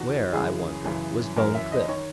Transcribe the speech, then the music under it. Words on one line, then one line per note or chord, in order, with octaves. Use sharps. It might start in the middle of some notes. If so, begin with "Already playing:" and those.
Where, I wondered, was Bone Cliff?
Already playing: E2 D#3 F#4
F#2 C#3 E3 G#4
F#2 C#3 E3
F#2 E3 A#4
E5
D#5
D#3 C#5